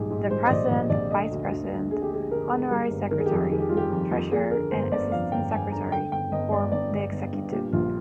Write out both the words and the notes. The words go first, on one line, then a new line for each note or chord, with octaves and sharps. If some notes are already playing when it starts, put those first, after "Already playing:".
The President, Vice-President, Honorary Secretary, Treasurer and Assistant Secretary form the Executive.
Already playing: A#1 G#2 G3 G4 G#4
G#2
G3 C5
D#5
A#1 D5
A#1 D#5
A#1 D5
D3 D#5
D2
D2
D2
D3 G#4
G4
G#3 G#4
D3 A#4
G#3
G3 A#4
G1
D#3 A#4
G#4
G4
F2 G#4
D#3 G#4
G4
G3 F4
G4
F2
F2
F2 G#4
D3 A#4
G1 C5
G1 D5
F2 F5
G1 G5
G1 G#5
D3 A#5
D3 G5
G1 G5
G1 D#5
G1 D5
G1 D5
G1
G1
G2
A#2 G4
A#1 F4